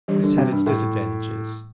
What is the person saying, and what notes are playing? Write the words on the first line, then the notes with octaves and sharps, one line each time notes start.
This had its disadvantages.
E3 G3 D4 G4 C5
D3
C3
G2
A2